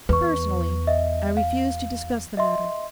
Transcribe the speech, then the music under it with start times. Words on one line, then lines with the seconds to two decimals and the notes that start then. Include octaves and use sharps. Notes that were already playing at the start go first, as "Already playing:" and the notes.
Personally, I refuse to discuss the matter.
0.09 E2 B4 C#6
0.87 D#5 E5
1.37 F5
2.37 D#5 E5 C6